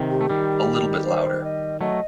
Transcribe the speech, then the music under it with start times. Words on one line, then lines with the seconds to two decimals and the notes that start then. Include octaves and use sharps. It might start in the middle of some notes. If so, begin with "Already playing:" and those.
A little bit louder.
Already playing: C3 D#3
0.11 G4
0.21 A3
0.30 D#3 G3
1.05 C5
1.44 D#5
1.81 F#3 A3 D#5